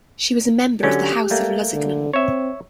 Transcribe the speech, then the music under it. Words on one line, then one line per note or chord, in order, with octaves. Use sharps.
She was a member of the House of Lusignan.
D3 F#3 C#4 G4
G3 A3 A#3
D3
C4 C#5 E5